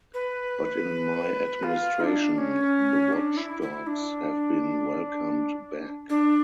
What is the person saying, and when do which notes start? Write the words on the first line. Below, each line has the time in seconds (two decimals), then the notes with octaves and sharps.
But in my administration, the watchdogs have been welcomed back.
0.14 B4
1.63 F4
2.00 D#4
2.04 D4
2.38 C#4
3.13 D4
3.37 E4
3.62 E4
3.87 D4
6.10 D4